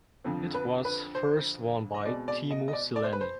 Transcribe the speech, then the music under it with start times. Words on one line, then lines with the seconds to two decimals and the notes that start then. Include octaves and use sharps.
It was first won by Teemu Selanne.
0.24 F2 D3 F3 C4
0.54 B4
0.85 B4
1.15 C5
1.94 D#5
2.06 B2 G#3 C4 D5
2.28 D5
2.51 D#5
2.68 D#5
2.73 D5
2.96 D5
3.04 C5
3.13 B4
3.21 C5